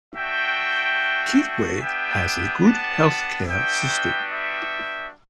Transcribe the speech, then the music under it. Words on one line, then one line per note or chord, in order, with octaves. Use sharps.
Kitwe has a good health care system.
A3 D4 F#4 E5 G5
B3 D4 G4 E5 G5
F#5 A5
G3 B3 D4 F#4 E5 G5
E5 G5